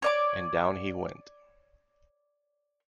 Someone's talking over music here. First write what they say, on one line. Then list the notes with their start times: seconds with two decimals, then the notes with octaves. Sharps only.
And down he went.
0.02 C#5 D5 D6